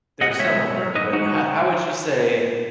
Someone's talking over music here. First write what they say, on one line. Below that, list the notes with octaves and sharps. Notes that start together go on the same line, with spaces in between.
They're similar, but ho how would you say
A#2 D#5 F#5
G#3 C#5 E5
B2
F#3
G#2 B4 D#5
E3 G#3 D#4 F#4